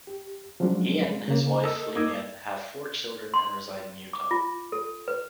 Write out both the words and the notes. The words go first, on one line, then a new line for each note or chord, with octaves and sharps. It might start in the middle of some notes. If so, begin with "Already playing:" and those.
He and his wife Lynette have four children and reside in Utah.
G4
F3 F#3 G#3 C#4 D4
G#3
C#3 A#3
A4 A#4 D#5 E6
A#3 D#4 D#5 D6 E6 G#6
C6
D6
F4
A4
B4